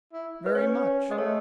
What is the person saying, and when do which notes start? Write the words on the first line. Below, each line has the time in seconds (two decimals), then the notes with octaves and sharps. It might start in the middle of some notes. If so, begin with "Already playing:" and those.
"Very much."
0.13 E4
0.46 B4
0.55 C#4 C#5
1.10 G#3 D#5
1.18 A3 C#5